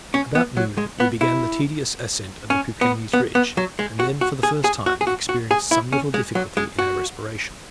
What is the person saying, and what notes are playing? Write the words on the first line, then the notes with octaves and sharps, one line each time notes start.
About noon we began the tedious ascent of the Peuquenes ridge, and then for the first time experienced some little difficulty in our respiration.
C#4
B3
F#3
G#3
B3
E4
C#4
B3
B3
B3
F#3
G#3
F#4
F#4
G#4
G#4
F#4
G#4
F#4
F#4
G#4
E4
C#4
G#3
F#3
G#3
F#4